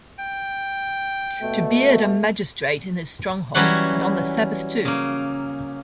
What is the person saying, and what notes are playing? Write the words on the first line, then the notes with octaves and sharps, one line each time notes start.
To beard a magistrate in his stronghold, and on the Sabbath, too!
G5
B2 A3
E3 F#3 G3 C#4 F#5
C#3 A#3